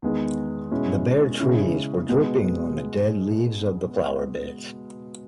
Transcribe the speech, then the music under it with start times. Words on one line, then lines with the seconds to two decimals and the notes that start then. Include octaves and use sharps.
The bare trees were dripping on the dead leaves of the flower beds.
0.02 E2 D#3 G#3 B3
0.71 B2 G#3 C#4 E4
1.40 C#3 G#3 C#4 E4
2.09 B2 G#3 B3